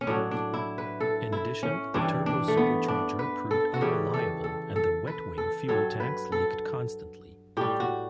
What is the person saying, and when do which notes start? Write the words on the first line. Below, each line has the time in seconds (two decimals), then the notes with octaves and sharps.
In addition, the turbo-supercharger proved unreliable and the "wet wing" fuel tanks leaked constantly.
0.01 C#4
0.07 A2 F#3 D4
0.31 D4
0.54 E4
0.78 B4
1.00 A4
1.32 E4
1.63 C#4
1.94 G2 E3 G3 D4
2.26 D4
2.48 A3
2.57 B3
2.88 D4
3.19 B4
3.51 A4
3.74 F#4
3.81 C#3 E3 G3 G4
4.14 A4
4.44 A4
4.76 A4
5.07 B4
5.38 A4
5.68 G2 F#3 A4
6.00 B4
6.32 A4
7.57 A2 G3 G4
7.80 F#4